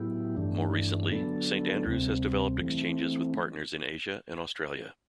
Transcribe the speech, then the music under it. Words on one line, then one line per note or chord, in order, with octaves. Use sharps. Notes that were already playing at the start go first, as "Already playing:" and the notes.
More recently, Saint Andrews has developed exchanges with partners in Asia and Australia.
Already playing: A2 F#3 B3 E4 G4
G2 E3 A3 D4
D3 F#3 B3 D4 A4
D2 C3 G3 C4
E3 A3 C4